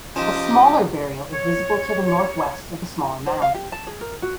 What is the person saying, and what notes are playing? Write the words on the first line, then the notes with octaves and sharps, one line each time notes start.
A smaller burial is visible to the northwest of the smaller mound.
F3 C#4 D#4 F4 G4 C5 D#5 A5
C#5
C5
F5
G4
A5
G#4
A#4
F#4